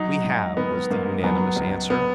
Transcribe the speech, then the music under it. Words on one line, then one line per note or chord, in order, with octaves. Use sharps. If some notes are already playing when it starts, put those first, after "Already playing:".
"We have," was the unanimous answer.
Already playing: F#3 D#4
G#2
D#3 B3
G#2 A#3
F#3 B3
C#2
B3